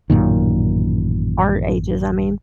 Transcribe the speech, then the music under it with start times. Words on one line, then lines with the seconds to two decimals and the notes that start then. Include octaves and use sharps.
our ages, I mean.
0.10 A1 F#2 A#2 D#3